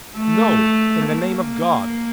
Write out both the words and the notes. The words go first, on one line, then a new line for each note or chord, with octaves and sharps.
No, in the name of God!
A3
A#3